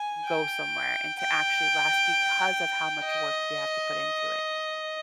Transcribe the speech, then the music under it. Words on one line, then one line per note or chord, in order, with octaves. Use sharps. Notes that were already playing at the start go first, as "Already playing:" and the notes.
go somewhere and to actually last because of how much work you have to put into it.
Already playing: G#5
G5
G5
D#5